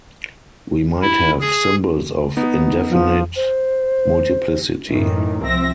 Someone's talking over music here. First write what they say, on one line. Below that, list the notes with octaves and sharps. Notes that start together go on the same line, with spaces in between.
We might have symbols of indefinite multiplicity.
E4
G#4
B3 D#4
F3
C5
F#2 A2 D#3 E3
C2 F3 C4 E5 A#6